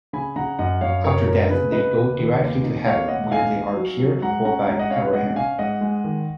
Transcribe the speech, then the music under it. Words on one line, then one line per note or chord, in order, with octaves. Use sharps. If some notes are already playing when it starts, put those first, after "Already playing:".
After death they go directly to Heaven, where they are cared for by Abraham.
C#3 G#5 B5
C#3 F#5 A#5
F#2 D#5 F#5
F#2 C#5 F5
F#2 A#4 C#5
F#2 A#4
C#3 B4
C#3 B4 D#5
D#2
D#3
D#2
D#4
D#2 C#5 F5
D#2 D#5 F#5
D#4 F5 G#5
D#4
F#3
F#3
G#2 F#5 A#5
C#4 F#5 A#5
G#2 F#5 A#5
D#5 F#5
C#4 C#5 F5
B4
G#2 D#5 F#5
C#4 F5 G#5
G#2 D#5 F#5
G#3
D#3